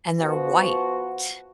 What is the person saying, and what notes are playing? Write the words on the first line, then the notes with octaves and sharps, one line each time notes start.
and they're white,
F3 B3 F#4